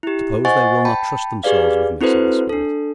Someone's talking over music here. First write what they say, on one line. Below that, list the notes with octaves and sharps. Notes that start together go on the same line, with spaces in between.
"Suppose they will not trust themselves with me?" said the spirit.
E4 G4
C5 D#5 F#5 G#5 C#6 A6
G5 A5 B5
G4 G#4 B4 D5 F5
C4 E4 F#4 A4 B4 C5
D4 A4